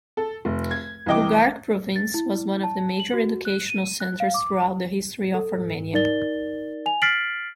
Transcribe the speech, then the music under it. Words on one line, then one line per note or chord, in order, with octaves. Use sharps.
Gugark province was one of the major educational centres throughout the history of Armenia.
A4
F1
G#6
C2 E3 D#5 G5 D6
A6
E4
A5
F#7
F#4
F#6
D#7
F#6
F5
D6
A4
D#4 A#4 D5 A6 G7
G#5 F7
F6 A6 B6 C7 D7 F#7